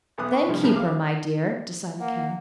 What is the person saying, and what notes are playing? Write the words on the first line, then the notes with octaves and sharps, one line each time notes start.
"Then keep her, my dear," decided Kenneth.
B1 E2 B3 D6 D#6 F#6
B4 B5 C#6
C2 G2 C3 F3
C#2 A2 C#3 G#3 A#4
A4 F5 D6
A#3 F#5